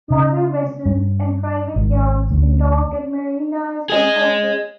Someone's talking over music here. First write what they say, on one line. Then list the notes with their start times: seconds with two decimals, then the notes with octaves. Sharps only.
Smaller vessels and private yachts can dock at Marinas in Cyprus.
0.10 C#3
0.86 G2
1.76 G#1
2.31 D2
3.90 G#4 D#5